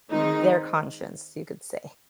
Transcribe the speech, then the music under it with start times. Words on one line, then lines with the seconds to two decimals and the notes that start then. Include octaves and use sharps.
their conscience, you could say.
0.11 D#3 G#3 C4 D#4